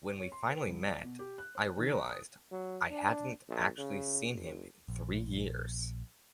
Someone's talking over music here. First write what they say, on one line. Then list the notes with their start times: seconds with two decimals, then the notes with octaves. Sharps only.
When we finally met, I realized I hadn't actually seen him in three years.
0.20 C#5
0.32 C6
0.50 B4
0.67 C2
0.87 D5
1.04 B2
1.19 G4
1.38 F#6
1.55 C5
1.77 D#3
1.91 A#5
2.09 D#6
2.51 F#3
2.91 D4
3.49 A#1
3.78 C#3
4.32 F#1
4.88 A#1